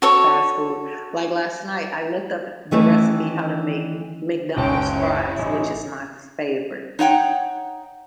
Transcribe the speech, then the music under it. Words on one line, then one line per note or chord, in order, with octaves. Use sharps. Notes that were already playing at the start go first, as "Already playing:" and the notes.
fast food, like last night, I looked up the recipe how to make McDonald's fries, which is my favorite.
F#4 A4 C#5
D#3 E3 A3 C#4
F#1 C#2 C#4 G5 A5
E4 C#5
A1 D#4
D#4 C#5 F#5 G5